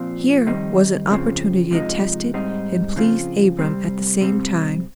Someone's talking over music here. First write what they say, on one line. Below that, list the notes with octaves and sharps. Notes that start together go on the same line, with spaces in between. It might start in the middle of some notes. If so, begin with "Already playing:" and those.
Here was an opportunity to test it and please Abram at the same time.
Already playing: A#2 F3 C4
F2 D#3 G3 C4 D#4
F2 C#3 F3 C4
C3 F3 G#3 D#4
G#2 G3 C4 D#4
C#3 F3 C4 F4
C3 G3 C4
C3 G3 C4